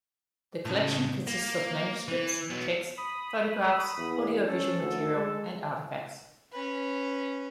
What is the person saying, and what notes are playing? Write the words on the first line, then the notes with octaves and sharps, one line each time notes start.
The collection consists of manuscripts, texts, photographs, audio-visual material and artifacts.
A2 C#3
A#3
E3
F#3 B3
B5 D#6
E2
C#4 A4
D2
G#3
C#4 B4